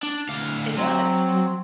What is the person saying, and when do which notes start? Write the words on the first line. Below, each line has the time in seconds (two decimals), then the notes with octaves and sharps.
It does.
0.03 D4
0.29 D2 F5
0.77 F#3 C4